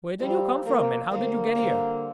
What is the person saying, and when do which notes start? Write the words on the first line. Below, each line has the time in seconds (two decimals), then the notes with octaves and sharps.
"Where did you come from and how did you get here?"
0.20 F3 G3 C4 A#4
0.65 F3 A#3 C4 A#4
1.10 D3 G3 A#3 C4 A#4
1.55 D3 G3 C4 A#4